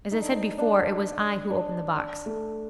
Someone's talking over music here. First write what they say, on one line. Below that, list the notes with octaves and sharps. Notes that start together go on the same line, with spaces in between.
As I said before, it was I who opened the box.'
D#4
D4
D#4
D4
D4
D4
A3